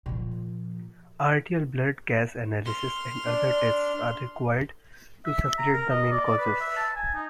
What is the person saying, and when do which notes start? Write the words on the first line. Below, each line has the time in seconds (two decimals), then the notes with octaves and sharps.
Arterial blood gas analysis and other tests are required to separate the main causes.
0.06 A#2 F3
2.66 C6 F6
3.26 D4
5.26 E5
5.43 E5
5.58 A#5
5.73 A#4
5.89 D#5
6.11 D5
6.25 D5
6.38 B4
6.60 E5
6.76 A5
6.95 G#5
7.14 D#4